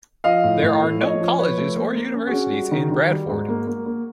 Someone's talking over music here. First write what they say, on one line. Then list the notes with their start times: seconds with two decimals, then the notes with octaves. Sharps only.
There are no colleges or universities in Bradford.
0.24 F3 D#5 F5
0.44 A2
0.62 A2
0.82 A3
1.01 F3 C#5 D#5
1.20 F3
1.39 F3 B4 C#5
1.58 A3
1.77 A#3 A#4 C5
1.95 A#3
2.14 C#4
2.27 F#4 G#4
2.33 C#4
2.52 G3
2.71 D#3
2.91 D#3
3.10 G3
3.29 G#2
3.48 A#3
3.67 A#3
3.86 A#3